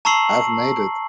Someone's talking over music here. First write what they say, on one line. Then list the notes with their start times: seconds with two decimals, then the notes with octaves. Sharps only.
I've made it.
0.05 A5 A#5 C#6 E6 C7 F#7